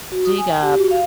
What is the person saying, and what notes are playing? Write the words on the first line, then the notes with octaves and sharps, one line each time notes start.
dig up
F#4
D#6
G#5
G4
F#4
F5